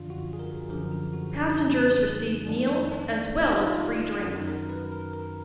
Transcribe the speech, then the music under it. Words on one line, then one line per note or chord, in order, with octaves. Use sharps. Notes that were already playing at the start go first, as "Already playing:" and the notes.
Passengers receive meals, as well as free drinks.
Already playing: F#2 D3 F3 D4 F4
F#4
G#4
A#4
F#2 D3 F3 A#4
G#4
F#4
D#4
F2 D#3 D4
D4
F4
D#4
F4
F#2 D#3 F#4
A#4
B4
A#4
A#4